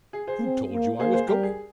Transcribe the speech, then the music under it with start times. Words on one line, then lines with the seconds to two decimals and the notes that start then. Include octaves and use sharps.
"Who told you I was going?"
0.13 G#4
0.27 G#4 C5
0.42 C4
0.70 A#3
0.99 A#3 G#4 C5
1.13 G#4 C5
1.28 G3 G4 A#4
1.43 G#4